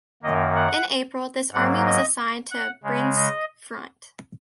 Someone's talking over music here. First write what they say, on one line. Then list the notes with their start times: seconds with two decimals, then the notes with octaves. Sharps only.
In April this Army was assigned to Bryansk Front.
0.23 F#2 D#3 A#3 D#5
0.56 F#5
1.52 G#2 F#3 A#3 F#5
1.86 D#5
2.51 F#5
2.83 C#3 G#3
3.16 D#5